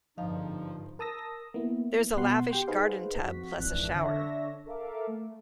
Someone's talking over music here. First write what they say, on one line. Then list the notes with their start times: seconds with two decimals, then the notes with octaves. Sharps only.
There's a lavish garden tub plus a shower.
0.17 G#1 G2 D3 F3 D#4 D#5 F5
0.99 A#4 A5 D#6 E6 A#6
1.54 A#3 B3 E4
2.16 B2 B3 F#5 C6
2.51 G4 G5 C6
2.67 D#4 G#4 B4 C5 F5 F#5
3.22 F2 F#4 B6
3.57 G#1 F2 E3 D4 F#6
3.93 D3 D4 C#5 E5 A#6
4.66 A4 A#4 E5 F5 D6
5.07 A3